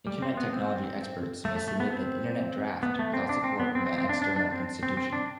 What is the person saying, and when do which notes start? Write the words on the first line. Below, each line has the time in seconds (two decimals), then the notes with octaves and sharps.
Internet technology experts may submit an Internet Draft without support from an external institution.
0.07 G3
0.22 C4
0.37 B3
0.53 C4
1.45 A3
1.56 A3
1.68 A3
1.80 B3
1.90 C4
2.83 B3
2.99 A3
3.13 C4
3.29 D4
3.44 C4
3.60 B3
3.75 C4
3.86 C4
3.98 C4
4.09 D4
4.22 D4
4.36 D4
4.51 C4
4.83 C4
4.97 C4
5.13 D4